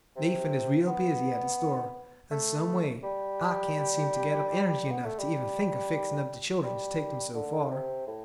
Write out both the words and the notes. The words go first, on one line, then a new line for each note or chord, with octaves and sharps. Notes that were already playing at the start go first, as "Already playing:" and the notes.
Nathan is real busy at the store; and, some way, I can't seem to get up energy enough to even think of fixing up the children to take them so far.
C3
B3
A3
G3
B3
A3
G3
G3
D3
C3
A2